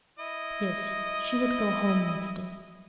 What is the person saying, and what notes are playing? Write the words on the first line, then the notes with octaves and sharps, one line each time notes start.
Yes, she would go home next day.
E4 D#5